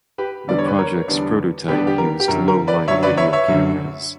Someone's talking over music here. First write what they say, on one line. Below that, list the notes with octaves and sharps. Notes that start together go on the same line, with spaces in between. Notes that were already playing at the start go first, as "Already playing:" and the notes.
The project's prototype used low-light video cameras.
G4 B4
E2 D3 G3 B3 D4 D5
C#5
B4
A#4 C#5
E2 D3 G3 B3 D4
E2 D3 G3 B3 D4 G4 B4
G4
A#4
G4
F#2 D3 F#3 A#4
A#4
B4 D5
F#2 D3 F#3 C#5 E5
B4 D5
C#5 E5
C#5 E5
F#2 D3 F#3